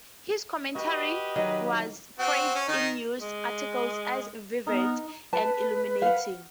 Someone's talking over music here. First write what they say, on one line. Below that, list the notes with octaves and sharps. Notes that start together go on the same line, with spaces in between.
His commentary was praised in news articles as "vivid" and "illuminating".
F#4 G4 B4 D#5
D#3 F#3 D#4
C4 F#4
C#4
D#3 D#4
G#3
B3 D#4 A#4
B4 A5
F5 F#5